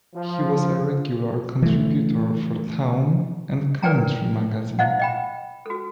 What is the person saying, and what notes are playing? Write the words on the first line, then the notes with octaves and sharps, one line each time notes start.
He was a regular contributor for Town and Country Magazine.
F3
E3 A3
A#4 B4 D5 G5 G#5 A#5
E4 C5 D#5 F5 F#5
D#5 G5 B5
F#4 A4